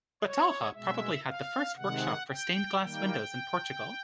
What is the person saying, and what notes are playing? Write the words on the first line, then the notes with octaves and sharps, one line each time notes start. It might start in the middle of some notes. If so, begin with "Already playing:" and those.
Batalha probably had the first workshop for stained-glass windows in Portugal.
C#5
B2 G#3 E5
F5
C3 D#3 G#3 F#5
G5
D#3 G3 A#3 G5